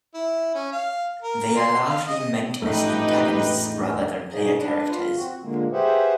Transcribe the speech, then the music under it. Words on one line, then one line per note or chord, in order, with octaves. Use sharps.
They are largely meant as antagonists rather than player characters.
E4
C#4
F5
A#4
C6
F5
D#5
A1 F2 A3 D#4 G4 B4
B2 D#4 G#4
D4 B4
F4
C4 F#4
A#2 D3 G#3 A#3
G4 G#4 B4 C5 E5 F#5